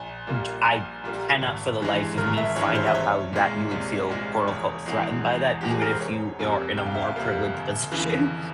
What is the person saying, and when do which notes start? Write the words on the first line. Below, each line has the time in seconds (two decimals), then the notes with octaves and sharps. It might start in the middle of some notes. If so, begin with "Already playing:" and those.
d I cannot for the life of me find out how that you would feel, quote unquote "threatened by that," even if you are in a more privileged position.
Already playing: A#1 G#5
0.27 A#2 G3 A#3
0.65 A#1 G#5
1.04 A#2 G3 A#3
1.41 G#1
1.80 G2 E3 G#3
2.18 G#1 A#4
2.37 E5
2.56 G2 E3 G#3 C#5
2.75 C5
2.86 E5
2.95 C2 C#5
3.33 A#2 G#3
3.71 C2
4.09 A#2 G#3
4.48 E1 C#5
4.86 E2 E3 G#3
5.24 E1
5.61 E2 E3 G#3 G4
5.71 G#4
5.81 A#4
5.91 C5
6.01 F1 C#5
6.39 F2 C3 G3 A#3 G#5
6.77 F1 G5
6.86 F5
6.95 E5
7.02 F5
7.16 F2 C3 G3 A#3
7.54 G1
7.92 F2 C#3 E3